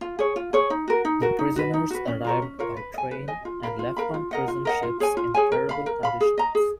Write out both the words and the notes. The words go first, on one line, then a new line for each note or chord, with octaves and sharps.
The prisoners arrived by train and left on prison ships in terrible conditions.
F4
G#4 C#5
F4
G#4 C#5
D#4
F#4 A#4
D#4
F#4 A#4
D#4
F#4 B4
D#4
F#4 B4
C#4
F4 A#4 C#5
C#4
F4 A#4 C#5
B4
D#5
G#5
B4
D#5 G#5
F4
A#4 F5 B5
F4
A#4 F5 B5
F4
A#4 D#5 F#5
F4
A#4 D#5 F#5
F4
G#4 C#5 G#5
F4
G#4 C#5 G#5
A#4
F5 B5
A#4
F5 B5
G#4
D#5 A#5
G#4